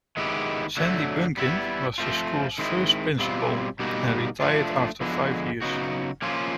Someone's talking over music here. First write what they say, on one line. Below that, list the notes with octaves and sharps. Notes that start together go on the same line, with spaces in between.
Sandy Bunkin was the school's first principal, and retired after five years.
D#3 G#3 B3 E4 G4
D3 F#3 A3
G3 B3 E4
F3 A3 C4 F4
D#3 G#3 C4 E4
B2 G3 C4 F4
B2 G3 A#3 D#4 F#4
F3 A3 D4 F4
D3 F3 G#3 B3
C#3 F#3 B3 D#4 F#4
F3 A#3 C#4 F4